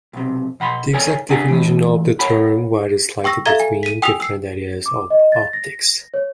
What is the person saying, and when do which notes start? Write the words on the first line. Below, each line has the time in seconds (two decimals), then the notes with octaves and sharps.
The exact definition of the term varies slightly between different areas of optics.
0.13 B1 C3
0.60 B2 F#5 B5 C6
0.93 A4 A#4 C#5 D5 G#5
1.29 D4 G4 D5 F#5 G#5
1.48 A2 E3 F#3 G#3
2.19 A#4 C#5 F#5 G#5 B5
3.24 G5 C#6 E6 A#6
3.46 A4 E5 F5 A#5 G#6 G7
3.60 G#5
3.83 B6 D#7
4.02 G5 G#5 D#6 E6 B6 F7
4.20 E6 C7
4.86 D6
5.10 D#5
5.32 A6
5.53 A#6
6.14 C#5